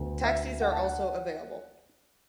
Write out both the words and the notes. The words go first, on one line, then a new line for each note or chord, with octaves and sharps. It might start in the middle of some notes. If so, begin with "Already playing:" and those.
Taxis are also available.
Already playing: D2 D3 B3
E5
F#5
A5
F#5